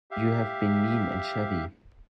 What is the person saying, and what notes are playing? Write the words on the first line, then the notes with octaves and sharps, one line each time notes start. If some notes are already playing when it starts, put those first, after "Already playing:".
You have been mean and shabby.
G4 E5 F5